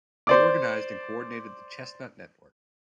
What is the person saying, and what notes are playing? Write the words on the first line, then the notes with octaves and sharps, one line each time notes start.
He organised and coordinated the "Chestnut" network.
C5 D5 D6